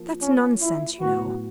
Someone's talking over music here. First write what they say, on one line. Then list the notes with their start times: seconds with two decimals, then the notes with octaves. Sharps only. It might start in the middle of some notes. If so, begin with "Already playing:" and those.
"That's nonsense, you know."
Already playing: F3 A#3
0.21 C#4
0.62 E4
1.01 A2 F#3 B3 F#4